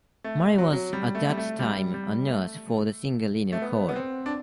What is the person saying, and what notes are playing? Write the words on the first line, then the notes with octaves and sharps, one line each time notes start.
Mary was at that time a nurse for the singer Lena Horne.
A3
F#3
F#3
G3
A3
G3
A3
G3
G3
A3
A3
B3
B3
C4
D4